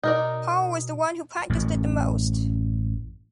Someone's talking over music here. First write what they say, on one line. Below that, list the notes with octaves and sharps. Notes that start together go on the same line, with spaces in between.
Paul was the one who practiced it the most.
B2 D#4 A#4 D5
A1 F#2